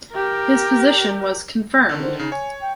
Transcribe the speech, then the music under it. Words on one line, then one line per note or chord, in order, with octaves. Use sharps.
His position was confirmed.
G4 A#4
D3 D#3
C5
C#3 D#4
C#5 G#5
G5